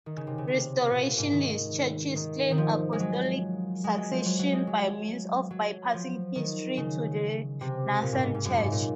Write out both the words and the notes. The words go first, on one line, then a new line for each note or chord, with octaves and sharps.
Restorationist Churches claim apostolic succession by means of bypassing history to the nascent Church.
D#3
C#3
C3
C#3
C3
A#2
G#2
D#3
D#3
D#3
F3
G#3
F#3
G#3
F#3
F3
F#3
F#3
G#3
F#3
F#3
F3
D#3
C#3
C3
A#2
G#2
G#2
G#2
F#2
G#2
A#2